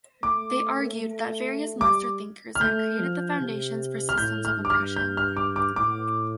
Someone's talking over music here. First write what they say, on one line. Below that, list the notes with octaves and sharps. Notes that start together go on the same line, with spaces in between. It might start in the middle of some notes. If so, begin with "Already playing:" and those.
They argued that various "Master Thinkers" had created the foundations for systems of oppression.
A3 D6
A3
G3 D6
F6
A3 G6
F3
C3
F6
A2 G6
F6
G2
D6
F6
G6
F6
D6
D6
A2 D6